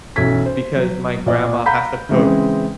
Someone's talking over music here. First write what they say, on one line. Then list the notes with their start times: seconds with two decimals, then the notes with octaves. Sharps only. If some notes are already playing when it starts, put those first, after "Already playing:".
because my grandma has to cook
0.16 B1 E3 C#4 A4 G#6 B6
0.46 C5
0.76 F#3
1.26 A#2 D5
1.66 F5 F#5 A#5 B5 G6 B6
2.09 C#3 E3 G#3 C4